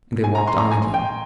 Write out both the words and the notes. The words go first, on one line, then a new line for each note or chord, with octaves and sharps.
And they walked on again.
G#5
A#5
C6
A#5
G#5
G5